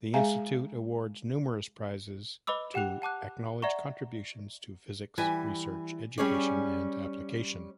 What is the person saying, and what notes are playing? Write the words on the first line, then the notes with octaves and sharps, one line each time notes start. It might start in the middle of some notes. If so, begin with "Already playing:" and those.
The Institute awards numerous prizes to acknowledge contributions to physics research, education and application.
G#3 G#4 E5 F5 G#5 A#5
B4 D#5 B5 D6 E6
G4 F#5 G5 F#6 F7
F#5 A5 D6 F#6
D5 E5 F#5 A#5 C#6
E3 G3 G#5
G3 C#4 G#4 C#5 D5